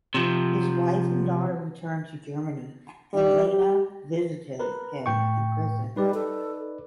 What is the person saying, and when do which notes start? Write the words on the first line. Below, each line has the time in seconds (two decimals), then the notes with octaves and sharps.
His wife and daughter returned to Germany and Lena visited him in prison.
0.14 C3 F3
3.13 G3
3.48 G4
4.60 A#4 B4
5.06 A2 G5 C#6
5.96 G3 D#4 B4 D5
6.14 A4